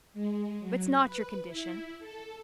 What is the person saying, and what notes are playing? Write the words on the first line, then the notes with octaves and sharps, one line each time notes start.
It's not your condition.
G#3
F#3
B4
E4
A4